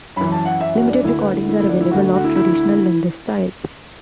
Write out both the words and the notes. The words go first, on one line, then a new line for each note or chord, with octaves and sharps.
Limited recordings are available of traditional lundus style.
F#2 E3 B5
A5
F#5
E5
F#4
D4
D2 D3 E4
B4
E4
E4
E4
D4
E4
D2 D3 F#4
F#4
F#4
E4
E4